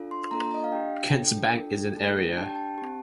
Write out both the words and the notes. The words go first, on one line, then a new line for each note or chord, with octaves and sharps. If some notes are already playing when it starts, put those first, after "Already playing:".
Kents Bank is in area.
Already playing: D4 F4 A4
C6
A#3 D4 F4 A4 A#5
D#5
F5
D4 G4 G5
D4 F4 A4
D4 F4 A4
A3 D#4 A4
D4 G4 A5
G5
A5
C4 G4